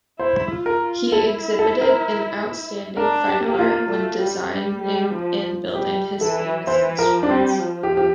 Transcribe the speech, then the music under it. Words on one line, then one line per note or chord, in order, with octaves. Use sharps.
He exhibited an outstanding fine art when designing and building his famous instruments.
E4 C5
F4
A#4
F4
E4 A4
A4
A#4
D4 A#4
G4
A#3 G4
F4
A3
G3
G3
G3
F3
G3 G4
E3 A4
E3 C5
F3 A#4
D4
G3 C4
F3
G4
G4